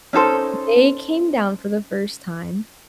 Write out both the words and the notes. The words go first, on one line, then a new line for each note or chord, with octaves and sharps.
they came down for the first time
C#4 D#4 A4 C5